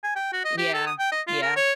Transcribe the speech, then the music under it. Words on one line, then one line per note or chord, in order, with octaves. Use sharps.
Yeah, yeah.
G#5
G5
F#4
D#5
G4
A4
D#6
G5
D#5
F4
A#4
C#5